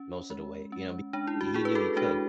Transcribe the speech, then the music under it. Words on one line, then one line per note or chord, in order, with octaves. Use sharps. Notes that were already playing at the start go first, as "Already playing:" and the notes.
most of the way, you know, he knew he could,
Already playing: C#4
G#3
C#4
G#3 D4
E4
F#4
D4 E4 G#4
B4
F#4 A4
G#3 D4 F#4